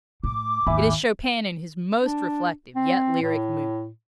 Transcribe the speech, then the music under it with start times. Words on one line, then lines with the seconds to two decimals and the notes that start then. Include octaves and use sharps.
It is Chopin in his most reflective, yet lyric mood.
0.24 A2 D6
0.67 G#1 D#2 D#3 E5 G#5 B5
2.02 D4
2.76 C4
3.22 A2